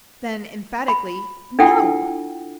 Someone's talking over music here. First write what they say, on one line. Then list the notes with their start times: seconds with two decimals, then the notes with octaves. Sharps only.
Then, emphatically, "No!"
0.88 B5
1.59 D4 E4 F4 A4 F#5 G5